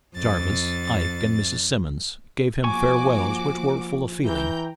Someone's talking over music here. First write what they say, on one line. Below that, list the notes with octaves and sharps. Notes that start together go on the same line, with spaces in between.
Jarvis, Ike, and Mrs. Simmons gave him farewells which were full of feeling.
F2 A6
F3 A#3 F#4 G#5 C#6 D6
E3 G5 A#5 G6